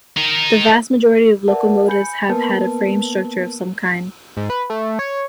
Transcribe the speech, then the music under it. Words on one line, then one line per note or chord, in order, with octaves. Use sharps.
The vast majority of locomotives have had a frame structure of some kind.
D#4 A#4
A#4 B4 D5 E5 F#5 A5
G#5 B5 G6 C#7
A#3 B3 A#4 B4 A5
G#2
B4
A3
C#5